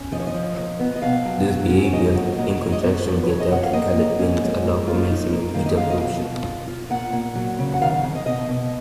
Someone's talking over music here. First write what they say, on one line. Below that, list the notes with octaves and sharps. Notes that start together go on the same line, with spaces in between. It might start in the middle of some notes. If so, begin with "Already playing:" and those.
This behavior, in conjunction with their darkly-colored wings, allow for maximum heat absorption.
Already playing: C#4
F3 D#5
C#5
D#5
F3
A#2
B3
D#5
B2 F5
F#3
F#3
C#4
C#5
D#2 D#5
F#3
A#2 D#5
A#2 C#5
D#5
B3 C#5
F3
B4
F2 C#5
D#5
F2 F#5
F5
A#3 D#5
A#3
C#4
G#2
A#3
F4
D#4
A#3
D#3 F5
D#5
F#2 F5
D#5
B2 F5
B2
F4
F4
A#2 F#5
A#2
F#3
C#3
F#5
D#3 F5
F5
F2
D#5
B2 D#5
B2